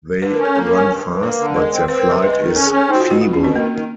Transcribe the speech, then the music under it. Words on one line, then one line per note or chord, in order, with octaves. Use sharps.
They run fast, but their flight is feeble.
D3 B4
A#4
C#4
A4
A#3 A4
A#4
C#4
A#4
G2
G2
A#3 B4
D3
G#3 A#4
C4
C4 B4
A#4
C3
B4
G#3 B4
B4
D#3
A#4
C#4 A4
G#4
C#4
A4
C4 D#4
F#4
F4
B2
F#4
B2 F4
C#4
B2
C4
D#3 A#3
D#3